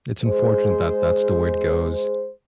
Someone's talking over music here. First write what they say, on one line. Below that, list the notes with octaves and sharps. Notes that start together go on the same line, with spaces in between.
It's unfortunate that that's the way it goes.
G#3 G#4 C5